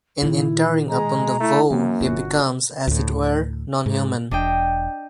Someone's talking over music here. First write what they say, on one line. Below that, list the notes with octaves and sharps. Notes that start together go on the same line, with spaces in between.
In entering upon the vow he becomes, as it were, nonhuman.
A#2 D#3 E4
G#3 G#4 A#5
A3 E4
F#2 E3 A#3
G1 F4 F#4
D2 A2
G#2
E1 D4 D#5 G5